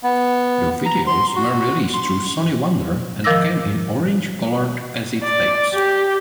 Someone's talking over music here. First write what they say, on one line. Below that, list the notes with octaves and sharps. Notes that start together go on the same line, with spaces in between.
The videos were released through Sony Wonder and came in orange-colored cassette tapes.
B3
A#5
C6
F#4
C6
D#3 F3 A#4 D6 E6 A#6
D5
G4